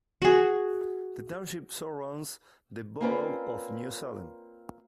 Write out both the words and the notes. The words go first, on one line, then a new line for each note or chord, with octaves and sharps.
The township surrounds the borough of New Salem.
F#4 G#4
A#3 C4 C#4 F4 B4 D5